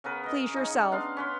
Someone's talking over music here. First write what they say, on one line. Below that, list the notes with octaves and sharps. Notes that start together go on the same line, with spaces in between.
Please yourself.
C#3 B3 A#4 B4
A#4 D#5
C#3 D#4
B3 D4 F5 C6
C#4 B4 C6